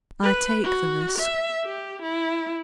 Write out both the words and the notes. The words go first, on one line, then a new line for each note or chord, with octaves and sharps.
'I take the risk.
B4
F#4
E5
G4
E4